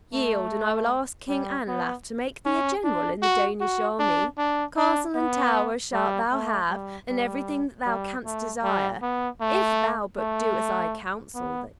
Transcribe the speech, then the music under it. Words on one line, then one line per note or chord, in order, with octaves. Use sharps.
"Yield, and I will ask King Anlaf to make thee a general in the Danish army. Castle and tower shalt thou have, and everything that thou canst desire, if thou but do as I counsel thee."
A3
G3
B3
C#4
D4
F#4
F#4
D4
D4
D4
B3
G3
A3
G3
G3
G3
A3
G3
B3
A3
A3
B3